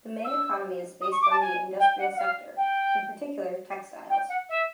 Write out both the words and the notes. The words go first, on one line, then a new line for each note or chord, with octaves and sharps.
The main economy is based on the industrial sector, in particular textiles.
E6
D#6
C#6
D6
A5
G#5
G5
F#5
F#5
F5
G5
G5
F#5
E5